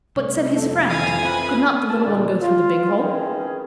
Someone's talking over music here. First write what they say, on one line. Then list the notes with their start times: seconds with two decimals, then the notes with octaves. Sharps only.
"But," said his friend, "could not the little one go through the big hole?"
0.16 C2 A3
0.55 F2 A4
0.88 F2 F5 G#5 B5 D#6
1.23 C4 E4 F4 B4
1.88 C2 A5
2.03 D2 G2 A#2 D3 D5
2.41 F4
3.00 D#3 E3 C4 C#4 G#4